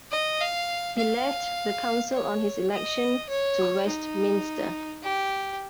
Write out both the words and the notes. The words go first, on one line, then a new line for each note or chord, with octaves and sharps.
He left the council on his election to Westminster.
D#5
F5
F5
C#5
D#5
C#5
D#4
G4